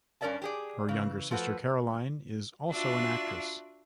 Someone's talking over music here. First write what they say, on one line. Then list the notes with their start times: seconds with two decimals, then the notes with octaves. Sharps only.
Her younger sister, Caroline, is also an actress.
0.21 G2 C#4 A#4 D5 E5 A5
0.42 G4 G#4 D5
0.89 C#3 E3
1.31 F3 A3 F#4 B4
2.71 D4 F4 F#4 D5 E5